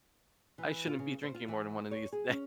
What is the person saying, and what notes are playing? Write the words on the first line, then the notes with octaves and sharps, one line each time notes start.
I shouldn't be drinking more than one of these a day."
E3
F4
C#3
C5
F4
E3
C#5
G#4
C#4